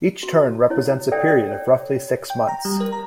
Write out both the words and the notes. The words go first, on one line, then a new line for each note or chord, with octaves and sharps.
Each turn represents a period of roughly six months.
F#4
E4 C#5
A4 C#5 D5 E5 G5
C#5
G5
A#5
G3
A#4
A#5